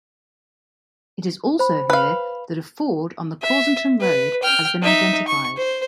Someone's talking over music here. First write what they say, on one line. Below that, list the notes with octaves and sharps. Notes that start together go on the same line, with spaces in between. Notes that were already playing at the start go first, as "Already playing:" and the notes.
It is also here that a ford on the Clausentum road has been identified.
C5 B5
B4 F5
E5
B4
G5 F6
D#4 E5
C#6
C5